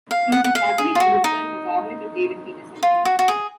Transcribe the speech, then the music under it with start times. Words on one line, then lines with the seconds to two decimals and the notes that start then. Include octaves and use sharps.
She was a cabinet minister in the government of David Peterson.
0.11 F5
0.32 F#5
0.44 F#5
0.55 F5
0.78 G#4
0.95 F4
1.00 F#4
1.24 D#4
2.83 F4
3.05 F#4
3.19 F#4
3.28 G#4